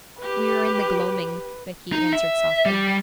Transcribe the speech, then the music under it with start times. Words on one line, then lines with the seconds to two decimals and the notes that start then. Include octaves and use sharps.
'We are in the gloaming,' Becky answered softly.
0.21 G4 B4
1.92 D#4
2.13 E5
2.66 G3